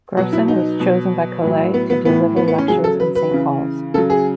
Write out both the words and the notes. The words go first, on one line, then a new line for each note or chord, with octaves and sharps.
Grocyn was chosen by Colet to deliver lectures in Saint Paul's.
B2 F#3 F#4
E4
D#4
B2 F#3
A2 F#3
B3
B3
A2 E3 B3
B3
B3
C#4
C#3 F#3 G#4
A4
B4
B4
C#3 E3
C#3 F#3 A4
G#4